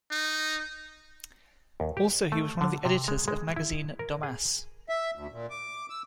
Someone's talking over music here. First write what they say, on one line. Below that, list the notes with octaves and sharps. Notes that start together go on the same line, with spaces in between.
Also he was one of the editors of magazine "Domas".
D#4
D#2
G4
A3
D3
C3
G#3
G#3
E4
A#4
G#4
E5
D2
A#2
D6
E6